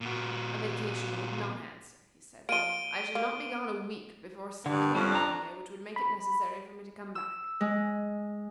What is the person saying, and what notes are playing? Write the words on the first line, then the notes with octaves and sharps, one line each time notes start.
"A vacation would not answer," he said. "I should not be gone a week before something would happen here which would make it necessary for me to come back."
A#2 F#4
F3 A#3 D7 D#7 G7
A#3
G2 D3
F2 G3 C#4
D4 A#5
B5
E6
G#3